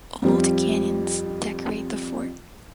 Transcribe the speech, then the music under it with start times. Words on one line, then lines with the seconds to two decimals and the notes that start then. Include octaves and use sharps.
Old cannons decorate the fort.
0.22 F2 F3 G3